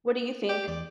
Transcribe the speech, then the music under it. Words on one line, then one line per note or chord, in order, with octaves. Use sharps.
What do you think?
G4 D5
E2 D5